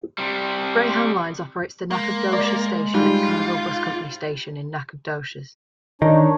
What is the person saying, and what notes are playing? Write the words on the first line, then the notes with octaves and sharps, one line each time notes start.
Greyhound Lines operates the Nacogdoches Station at the Kerrville Bus Company station in Nacogdoches.
C3 G3
G#3 A#3
D5
G#2 G3 F4
D#3 D4 D#4 C#5